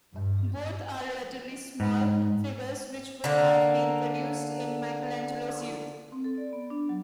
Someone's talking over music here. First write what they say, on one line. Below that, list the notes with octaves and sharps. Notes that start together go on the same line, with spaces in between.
Both are relatively small figures which would have been produced in Michelangelo's youth.
G2
G#2
D3 A#3
C4
A4
D5
B3
D4
F#3